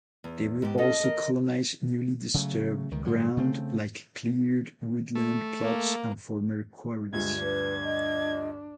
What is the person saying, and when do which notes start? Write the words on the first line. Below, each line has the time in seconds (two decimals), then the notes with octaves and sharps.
They will also colonise newly disturbed ground like cleared woodland plots and former quarries.
0.24 E2
0.62 G#2 B3 G4
0.78 C#4 F4 A4 D#5
1.00 A4 A#4
2.34 C#3 F#3 A3
2.91 C#2 D#3
3.05 G#2 D3 F3 F#3
3.37 C#3 A3 C4
5.15 A3
5.61 A#3
7.13 D2 G2 G#3 F4 G#6
7.42 D4 B4
7.84 D#5